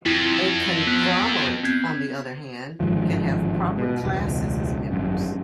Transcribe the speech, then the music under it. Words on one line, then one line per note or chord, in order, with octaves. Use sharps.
A conglomerate, on the other hand, can have proper classes as members.
F2 E4
B3
B3 C4 G#6
G1 G#2 D#3 F3
B2
E1 C#2
G#1 F#2